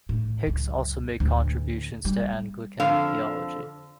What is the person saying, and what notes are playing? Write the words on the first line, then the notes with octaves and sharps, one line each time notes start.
Hickes also made contributions to Anglican theology.
A2
C#2 F#2
D2 A2
G3 A#3
F2 D3 F5